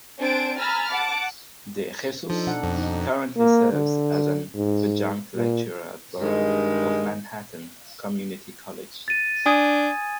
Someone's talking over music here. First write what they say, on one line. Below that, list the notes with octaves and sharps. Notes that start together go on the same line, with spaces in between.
De Jesus currently serves as an adjunct lecturer at Borough of Manhattan Community College.
C4 D4 C5 G#5 A6 D7
G#5 A#5 B5 E6 F6 A6
F#5 A5 D6
F3 D4 D#4 A4
B2 D4 F#5
F2
D#4
A#3
D3
G#2
A#2
G2 D#3 G#3
A6 D#7
D4 G#5 D#6 G#6